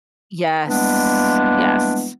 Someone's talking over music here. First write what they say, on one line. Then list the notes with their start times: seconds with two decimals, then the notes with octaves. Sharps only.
Yes, Yes.
0.67 E3 G3 G#3 A#3 B3 D4